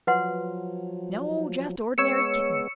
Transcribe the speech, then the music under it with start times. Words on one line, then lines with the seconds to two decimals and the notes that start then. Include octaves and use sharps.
"No; just ordinary kitten."
0.07 F3 F#3 B4 F#5 C6
1.98 G#3 B3 C#5 E6 C#7